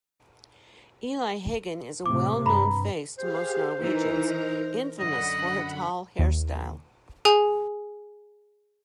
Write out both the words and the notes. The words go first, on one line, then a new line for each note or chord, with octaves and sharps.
Eli Hagen is a well-known face to most Norwegians, infamous for her tall hairstyle.
A2 C3 D6
G2 A#5 B5
G4 G#4 C5 F5
E3 D#4 A#4 A#5
F#2 D3 D#5 F#5 B5
D#2
G#4 G#5